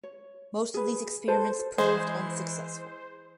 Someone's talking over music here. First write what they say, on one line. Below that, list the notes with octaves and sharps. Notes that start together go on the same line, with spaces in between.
Most of these experiments proved unsuccessful.
C#5
G#4 B4
A4 B4 C5
E3 G#3 C5